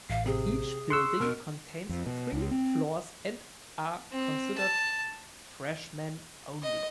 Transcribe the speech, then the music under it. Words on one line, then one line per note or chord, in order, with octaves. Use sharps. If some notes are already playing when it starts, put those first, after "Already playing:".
Each building contains three floors and are considered freshmen-only.
A1 F5
C3 G#4
C6 C#6 E6 F#6 C#7
B2 A#4 F6
F2
B2
C#2
C4
C4
A5
D#5